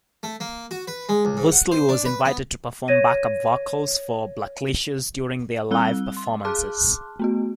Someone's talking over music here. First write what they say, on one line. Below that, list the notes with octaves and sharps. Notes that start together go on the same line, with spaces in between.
Vursatyl was invited to perform backup vocals for Blackalicious during their live performances.
A3
A#3
F#4
B4
G#3
C#2
G#2
F#5
C5
D4
B4
B3
C#5 G#6 A#6 D#7
G3 C4 E6 F#6 G7
C6
G#4 A5 C6 D6 F6 F#6
A3 B3 F#4